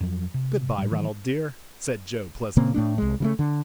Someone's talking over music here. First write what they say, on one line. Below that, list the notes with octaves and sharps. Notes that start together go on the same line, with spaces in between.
"Good-by, Ronald dear," said Joe pleasantly.
F2 F3 F#3
C3
A2 G3
D#3 E3 F#3
A#2 C#3 A#3 C4
A2 A3 D4
C2 G#3
C#3 F3 A3
D3